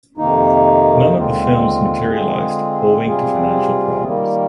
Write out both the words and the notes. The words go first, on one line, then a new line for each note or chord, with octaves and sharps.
None of the films materialised owing to financial problems.
F2 C3 D#3 A#3 D#4
D#2 D3 G#3 C4 F4
D3 G#3 C4 F4 G#4
C3 G3 C4 F4 G#4
D#3 G3 A#3